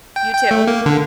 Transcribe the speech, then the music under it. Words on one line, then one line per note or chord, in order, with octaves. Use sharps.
You too.
G5
G5
A3
A#3
D3